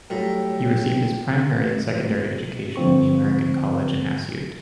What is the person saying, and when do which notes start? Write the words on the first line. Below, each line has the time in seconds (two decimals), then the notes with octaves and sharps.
He received his primary and secondary education at the American College in Asyut.
0.10 A2 F#3 G3 F#4 G5
2.76 D3 F3 C4 C#6